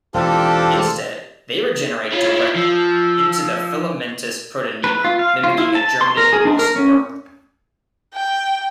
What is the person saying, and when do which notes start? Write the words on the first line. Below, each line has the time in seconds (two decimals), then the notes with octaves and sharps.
Instead, they regenerate directly into the filamentous protonema, mimicking a germinating moss spore.
0.14 E1 E3 C4 D4 F4 G4 A4
2.12 E4 F4 C#5
2.56 F3 E6
4.84 B4
5.04 F4
5.19 F5
5.44 F4
5.58 E4
5.75 A5
6.01 C6
6.17 A#4
6.33 G#4
6.45 D4
6.59 A#4
6.76 C#4
8.15 G5